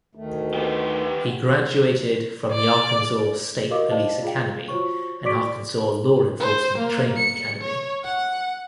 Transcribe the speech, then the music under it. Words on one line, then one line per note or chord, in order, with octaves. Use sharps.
He graduated from the Arkansas State Police Academy and Arkansas Law Enforcement Training Academy.
D2 D#3 A3
B3 G4
D5
F#4 G4 A#4 D#5 F5 D6
C5 D5 D#5 F5 A5
F4 G#4 F5 G5
F4 F#4 C5 C#5 C#6
F#4 D5 C#6 D6 B6 D7
C5
A#3
C#7
C#5
F#5